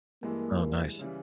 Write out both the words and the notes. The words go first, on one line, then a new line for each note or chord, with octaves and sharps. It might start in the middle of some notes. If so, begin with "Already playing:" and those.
Oh, nice.
G2 E3 G#3 A#3 E4
C#3 E3 G3